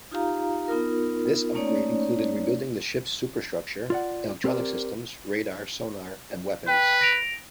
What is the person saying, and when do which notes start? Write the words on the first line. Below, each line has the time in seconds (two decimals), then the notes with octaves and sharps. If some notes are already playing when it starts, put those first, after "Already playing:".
This upgrade included rebuilding the ship's superstructure, electronic systems, radar, sonar, and weapons.
0.11 D#4 F4 G4 F5 A#5
0.68 B3 D#4 F4 A#4
1.55 A3 A#3 C#4 D#4 C#5 D5
3.90 F4 D5 F#5
4.44 C4 G4 A#4 D5
6.68 B4 G5
7.01 A#6 D7 F7